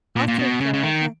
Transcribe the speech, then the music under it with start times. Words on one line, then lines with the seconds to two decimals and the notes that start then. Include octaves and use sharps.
'I'll take care of him.
0.16 A#2
0.28 A#2
0.39 B2
0.61 C#3
0.73 C#3
0.83 D#3